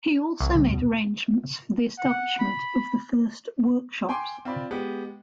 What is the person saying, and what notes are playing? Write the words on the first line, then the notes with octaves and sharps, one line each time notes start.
He also made arrangements for the establishment of the first workshops.
C2
C#3 E3 G3
D#2 B2
F#5
B5
G5 G#5 C6 D6
C4 F4 D5 B5
G#3 B3 G4